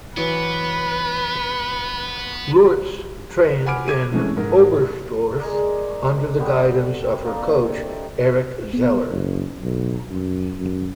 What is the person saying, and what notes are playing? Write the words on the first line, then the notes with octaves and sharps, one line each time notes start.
Lurz trained in Oberstdorf under the guidance of her coach, Erich Zeller.
E3 F#3 B3 B4 D6
F#5 G#5 B5 D6 F6 D7
D6 G#6 D#7
C3 E3 G#3 A3 C#4
G#2 A#4
A2
G#3 G#4 A#4 D5
G3 B3 C4
A4 G5
A#3 D4 D#4 F4
C3 A4
B3
F#1
B1
F#2
F#2